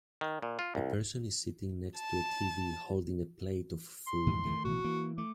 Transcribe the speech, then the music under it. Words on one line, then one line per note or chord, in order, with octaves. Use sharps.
A person is sitting next to a tv holding a plate of food.
D#3
A#2
F4
C2
A5
C6
D1 F2 G#2 E3
D#3 A3
A1 B2 E3 F#4
E3 A#3
A3 D6